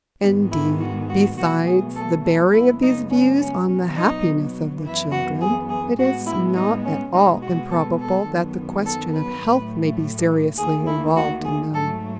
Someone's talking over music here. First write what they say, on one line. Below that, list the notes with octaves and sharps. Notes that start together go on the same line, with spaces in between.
Indeed, besides the bearing of these views on the happiness of the children, it is not at all improbable that the question of health may be seriously involved in them.
G#2 D#3 G#3 B3 D#4
E4
F#4
F#4
B2 F#3 A3 F#4
G#4
A4
A4
F#2 C#3 G#3 B3 E4
D#4
C#4
C#4
B2 F#3 B3 C#4
D#4
F#2 E3 B3 E4
F#4
G#4
G#4
A2 G#3 B3 F#4
E4
D#4
C#4
B2 G#3 B3 D#4
F#4
A4
A4
F#2 D#3 F#3 B3
A4
B4
A2 F#3 A3
D#2 D#3 A3 G#4
E4
F#4
G#4
G#2 F#3 A3 A4